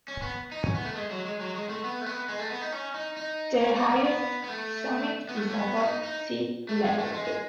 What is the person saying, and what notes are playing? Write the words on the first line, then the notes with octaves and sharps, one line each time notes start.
The highest summit is above sea-level.
C#4
B3
D#4
C#4
B3
A3
G#3
F#3
G#3
F#3
G#3
A3
B3
A3
B3
G#3
A3
B3
D#4
C#4
D#4
D#4
C#4
D#4
C#4
B3
B3
A3
B3
A3
C#4
B3
C#4
D#4
D#4
A3
G#3
A3
G#3
G#3